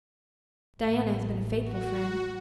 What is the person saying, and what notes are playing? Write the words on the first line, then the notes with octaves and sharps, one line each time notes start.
Diana has been a faithful friend.
A1
F#4